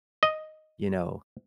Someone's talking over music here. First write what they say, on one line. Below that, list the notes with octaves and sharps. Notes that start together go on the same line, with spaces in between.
you know,
D#5